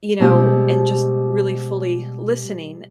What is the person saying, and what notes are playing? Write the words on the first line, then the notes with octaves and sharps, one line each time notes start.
you know, and just really fully listening
B2 G3 G#3 C4 G4